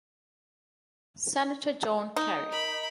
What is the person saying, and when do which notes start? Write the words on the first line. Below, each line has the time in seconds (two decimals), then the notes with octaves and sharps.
Senator John Kerry.
2.16 D#4
2.51 A#4 B5